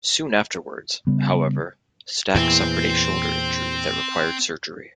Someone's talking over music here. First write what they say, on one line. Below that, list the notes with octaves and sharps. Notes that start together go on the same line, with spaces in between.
Soon afterwards, however, Stack suffered a shoulder injury that required surgery.
C#3 G3 B3
E2 A#2 E3 C4